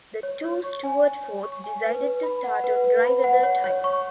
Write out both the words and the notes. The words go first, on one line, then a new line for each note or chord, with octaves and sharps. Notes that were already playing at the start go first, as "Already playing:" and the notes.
The two Stewart-Fords decided to start on dry weather tyres.
C#5
C#5
C#6
G#5
C#5
C#5
C#6
G#5
B4
B4
B5
F#5
B4
B4
B5
F#5
C#5
C#5
C#6